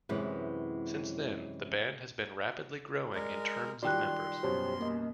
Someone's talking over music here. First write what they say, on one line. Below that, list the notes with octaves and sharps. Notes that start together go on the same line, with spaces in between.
Since then, the band has been rapidly growing in terms of members.
F#2 C3 E3 G#3 E4 B4
G#3 A#4 D5
D#3 F#3 G3 F4 D5 G5 C6 F#6
F#2 B2 G3 G4 C5 C#5
A#3 D#5